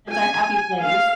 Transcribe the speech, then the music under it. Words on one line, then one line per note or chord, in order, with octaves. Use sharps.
that's our happy place.
G#5
F5